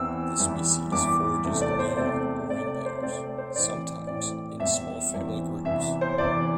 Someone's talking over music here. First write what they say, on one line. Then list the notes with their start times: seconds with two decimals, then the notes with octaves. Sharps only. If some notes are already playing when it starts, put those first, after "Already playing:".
The species forages alone or in pairs, sometimes in small family groups.
Already playing: E2 E3 C4 E6
0.39 E2 E3 G3
0.92 E2 E3 G3 D6
1.44 E2 C3 A3 C4
1.61 D5
1.79 C5
1.97 E2 C3 A3 C4 D5
2.50 C3 A3 C4 D5
2.67 D5
2.85 C5
3.02 C3 A3 C4 D5
3.38 C5
3.56 A2 E3 C4 D5
4.07 A2 E3 C4 D5
4.60 E2 E3 G3 C4 E5
5.14 E2 E3 G3 C4
5.65 E2 C3 E3 E5
6.01 C5
6.18 E2 C3 E3 D5